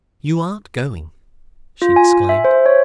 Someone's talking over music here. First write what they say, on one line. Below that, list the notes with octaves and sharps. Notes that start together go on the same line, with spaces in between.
"You aren't going?" she exclaimed.
F4
G#5
E5
C5
C#5